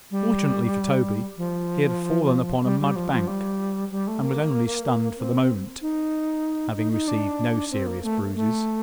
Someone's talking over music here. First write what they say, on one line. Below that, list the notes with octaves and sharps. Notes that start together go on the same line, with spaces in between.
Fortunately for Toby, he had fallen upon a mud-bank, and was only stunned for the moment, having received no serious bruises.
G3
F3
G3
G3
F3
F3
G3
G3
A3
A#3
C4
D#4
D#4
D#4
D4
C4
A#3
A3
A3